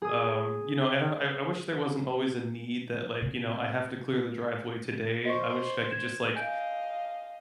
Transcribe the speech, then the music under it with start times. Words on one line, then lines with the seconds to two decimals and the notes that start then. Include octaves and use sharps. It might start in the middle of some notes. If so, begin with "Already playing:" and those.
um, you know, I I I wish there wasn't always a need that, like, you know, I have to clear the driveway today. I wish I could just like,
0.02 G#4 D#6
3.22 C3
5.25 C5 D#5 C#6
5.91 G#6 E7
6.36 D#5 F5 G#5 G6 D7